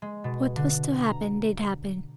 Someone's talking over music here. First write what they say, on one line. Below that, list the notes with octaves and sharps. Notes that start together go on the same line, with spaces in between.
What was to happen did happen.
G#3
B2
D3
A#5